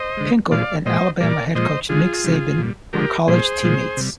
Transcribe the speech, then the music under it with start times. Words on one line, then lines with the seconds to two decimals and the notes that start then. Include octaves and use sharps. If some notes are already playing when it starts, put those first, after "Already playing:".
Pinkel and Alabama head coach Nick Saban were college teammates.
Already playing: C5 D#5
0.17 D3 G#3
0.51 A#2 F3 G#3 D5 F5
0.86 A#2 G#3 C5 D#5
1.20 A#2 G3 A#4 D5
1.55 A#2 F3 G#3 C5 D#5
1.89 D3 G#3 F4 G#4
2.24 C3 D#3 G3
2.58 A#2 G3
2.93 D3 F3 G#3 G4 A#4
3.28 A#2 G3 G#4 C5
3.63 A#2 F3 G#3
3.97 C3 G3